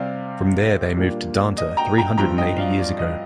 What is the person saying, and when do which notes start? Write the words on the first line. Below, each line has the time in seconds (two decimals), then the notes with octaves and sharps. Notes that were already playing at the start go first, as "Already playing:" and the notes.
From there they moved to Danta three hundred and eighty years ago.
Already playing: C3 G3 C4 D5 F5
0.97 A#2 G3 A#3 D4
1.58 D#5
1.77 G5 A#5
1.98 G5 A#5
2.18 G2 F3 C4 G5 A#5
2.38 D#5 G5
2.58 D5 F5
2.79 D5
2.99 D#5